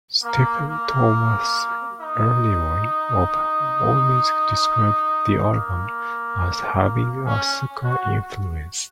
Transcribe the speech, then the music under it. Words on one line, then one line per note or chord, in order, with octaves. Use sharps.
Stephen Thomas Erlewine of Allmusic described the album as having a ska influence.
A#3
A#3
D#4
A#3
C#4
F#4